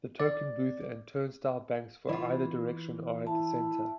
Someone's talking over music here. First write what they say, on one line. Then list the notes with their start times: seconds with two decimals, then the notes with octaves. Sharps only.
The token booth and turnstile banks for either direction are at the center.
0.20 D5
2.09 E3 F4
3.27 E4 A5